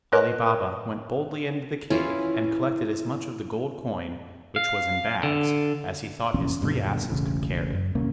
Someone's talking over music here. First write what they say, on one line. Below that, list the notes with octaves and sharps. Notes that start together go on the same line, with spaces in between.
Ali Baba went boldly into the cave, and collected as much of the gold coin, which was in bags, as he thought his three asses could carry.
A#4 B4 C#5 D#5 F#6
E3 C#4 E4 F4
F5
D3
F1 A#1 E2 C#4
D#1 G2 B2 D3
E1 A1 C#3
F#2
D#1 C2 A#3 C#4